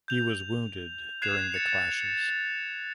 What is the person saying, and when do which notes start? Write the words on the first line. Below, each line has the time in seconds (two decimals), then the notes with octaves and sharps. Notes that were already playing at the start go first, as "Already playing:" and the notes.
He was wounded during the clashes.
0.08 G6 F7
1.22 F#6 G#6 C7 E7 F7
1.52 A6 C#7 F7